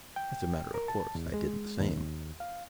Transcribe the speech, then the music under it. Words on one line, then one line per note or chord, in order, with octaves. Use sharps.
As a matter of course I did the same.
G5
A#4
A5
E2
G#3
D#2
F5